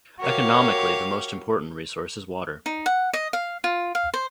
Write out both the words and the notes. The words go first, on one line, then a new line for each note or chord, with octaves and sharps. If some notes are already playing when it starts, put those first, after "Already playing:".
Economically the most important resource is water.
F#4 G4 A#4 C#5 F5
D#4
F#5
D#5
F5
F4
F5
C5